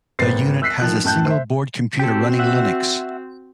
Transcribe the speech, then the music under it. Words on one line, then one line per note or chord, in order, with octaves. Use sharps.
The unit has a single-board computer running Linux.
G#1 B3 C5 A6 C7
E6 F#6 B6 C7
D#3 F3 F#6
F#2 A2 A5 F#6 G6
C5 E5
C4 F#4 G4 A4
E5 F#5